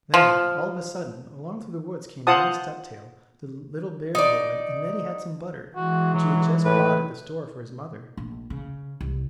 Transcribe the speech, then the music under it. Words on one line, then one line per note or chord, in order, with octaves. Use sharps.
Then, all of a sudden, along through the woods came Neddie Stubtail, the little bear-boy, and Neddie had some butter, which he had just bought at the store for his mother.
F3
F4 C5 F5 F#5 A5 D#6
D#4 D5
E3 G#3 F#4
F#3
A2 B4
A#1
C#3
C2